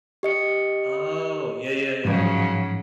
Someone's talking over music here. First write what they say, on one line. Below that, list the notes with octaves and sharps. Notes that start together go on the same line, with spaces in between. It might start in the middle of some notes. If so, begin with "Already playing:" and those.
Oh, yeah, yeah, yeah.
G4 D#5 C#7
G#2 C#3 F3 F#3